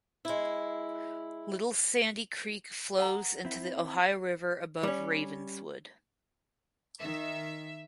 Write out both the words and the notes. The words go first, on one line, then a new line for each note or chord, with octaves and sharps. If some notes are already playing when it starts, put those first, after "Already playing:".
Little Sandy Creek flows into the Ohio River above Ravenswood.
G#3 E4
A4 F#5 A#5
C4 E4
G3 C#4
D#3 E5